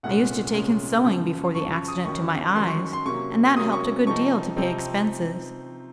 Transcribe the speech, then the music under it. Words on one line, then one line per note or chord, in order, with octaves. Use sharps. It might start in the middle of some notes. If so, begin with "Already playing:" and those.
I used to take in sewing before the accident to my eyes, and that helped a good deal to pay expenses.
C2 A#2 G#3 C#4 F#5
C2 A#2 G#3 C#4
F#2 C#3 F3
F#2 C#3 F3 C#6
C#6
D#6
F#2 D#3 F#3 C#4 C#6
F#2 D#3 F#3 C#4 C6
C#6
C6
C3 F#3 A#3 C#4 C#6
C3 F#3 A#3 C#4 D#6
C#6
C3 F3 C4 D#4 C#6
C3 F3 C4 D#4